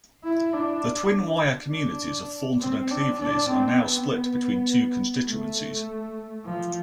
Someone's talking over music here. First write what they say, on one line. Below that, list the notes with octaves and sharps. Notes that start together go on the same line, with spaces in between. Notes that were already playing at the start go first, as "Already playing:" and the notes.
The twin Wyre communities of Thornton and Cleveleys are now split between two constituencies.
E4
D4
D4
C4
D4
D4
C4
B3
A3
F3